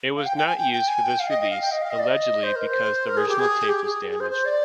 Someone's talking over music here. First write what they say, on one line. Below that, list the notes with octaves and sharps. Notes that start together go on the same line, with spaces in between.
It was not used for this release, allegedly because the original tape was damaged.
F5
G5
G5
G#5
G5
G5
G#5
G5
F5
D#5
D#5
F5
G5
D#5
F5
D#5
D5
D#5
C5
A#4
C5
A#4
G#4
G4
G#4
G4
G#4
G#4
C5
C5
D5